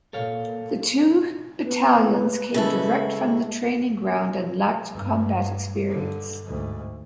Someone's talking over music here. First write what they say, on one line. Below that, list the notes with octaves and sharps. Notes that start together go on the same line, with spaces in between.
The two battalions came direct from the training ground and lacked combat experience.
A#2 A#3 A4 C#5 F5
B3 B4
C#3 G#3 E4 A4
G2
G2 D3
D2 G#2